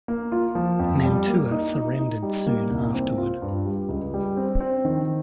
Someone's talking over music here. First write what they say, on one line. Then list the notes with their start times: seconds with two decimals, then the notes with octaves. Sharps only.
Mantua surrendered soon afterward.
0.08 A#3
0.32 F4
0.55 F3
0.79 F2
1.04 G3
1.28 A#3
1.51 D#4
1.75 D#4
1.99 D#4
2.23 G3
2.47 A#3
2.71 C2
2.94 C4
3.18 F4
3.42 G2
3.66 G3
3.89 C#2
4.14 G3
4.37 C4
4.60 C4
4.85 D#3